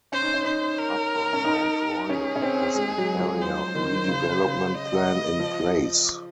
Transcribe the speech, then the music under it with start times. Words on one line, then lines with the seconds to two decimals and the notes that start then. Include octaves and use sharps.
Upper Mount Royal has an area redevelopment plan in place.
0.12 C#4 C5
0.22 D#4
0.34 C#4
0.45 D#4 C5
0.79 A#4
1.33 C#4
1.44 D#4
2.09 C#4 G#4
2.36 C#4
2.42 C4
2.75 G#3
2.98 F#3
3.20 F3
3.42 C5
3.75 D#3
4.08 C#3
4.40 C#3
4.74 D#5
5.40 F3